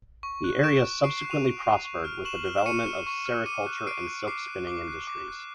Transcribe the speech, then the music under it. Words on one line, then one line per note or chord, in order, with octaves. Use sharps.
The area subsequently prospered with the development of sericulture and silk spinning industries.
C#6
F#6
C#6 D7 E7
F#6
C#6 C7 D7
C7
F#6
D#7 F7
C#6
F#6
C#6
F6
C#6 E7 F#7
F6
E7
C#6 C#7 D#7
F6
C#6
F6
D6 C#7 D#7
F#6
D6 C7 D7
F#6
D6 C7
F#6
D6
F#6
D6
F#6